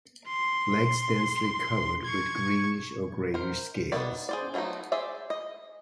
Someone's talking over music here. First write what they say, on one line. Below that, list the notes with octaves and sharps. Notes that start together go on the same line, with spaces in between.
Legs densely covered with greenish or grey scales.
C6
C#6 G#6
A#4 C5
D#3 B3 F#4 C5 D5
G#4 C5 D5
F3 F#3 A3 B3 D#4
G#4 C5 D5 E5
D#5